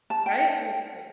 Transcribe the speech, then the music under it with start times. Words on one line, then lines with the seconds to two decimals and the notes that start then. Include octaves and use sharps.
Right? And it's like
0.10 A5
0.26 G5